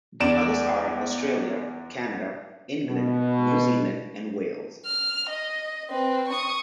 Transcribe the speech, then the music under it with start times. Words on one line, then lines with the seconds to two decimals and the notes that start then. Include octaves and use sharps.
The others are Australia, Canada, England, New Zealand and Wales.
0.20 E2 D5 D7 E7
2.86 B2
4.86 F6
5.29 D#5
5.91 C4 B4
6.29 C#6 D#6